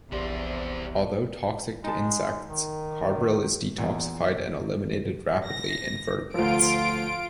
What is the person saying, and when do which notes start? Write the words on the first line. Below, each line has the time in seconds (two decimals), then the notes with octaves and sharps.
Although toxic to insects, carbaryl is detoxified and eliminated rapidly in vertebrates.
0.12 A#1 E2 G3 G4 C5 D5 C6
1.84 G#3 D#4 A5
2.47 D#3
3.78 E2 A#2
5.46 A#6
6.34 D2 F3 F4 D7